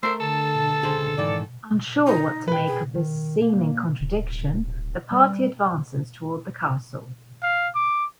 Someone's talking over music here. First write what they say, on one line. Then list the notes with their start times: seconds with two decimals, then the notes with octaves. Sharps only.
Unsure what to make of this seeming contradiction, the party advances toward the castle.
0.03 A3 A#4 C5 E6
0.20 D3 A4 A5
0.82 C#2 G#4 C5
1.18 G#2 D#3 E3 D5
2.06 D#4
2.48 B4 G5
2.68 G#4
2.95 D#3
3.42 A#3
4.01 D1
5.12 G3
7.43 F5
7.75 D6